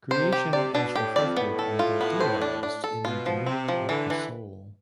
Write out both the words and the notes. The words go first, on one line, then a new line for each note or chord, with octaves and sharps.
Creation is reflected and idealized in the mirror of the soul.
C3 C5
G4
C3 D5
B2 D4
A2 G4
F2 D5
A2 B3
A4
F4
B3
C5
D4
D4
A4
B2 F4
F3
C3 C4
F3
D3 E3
E3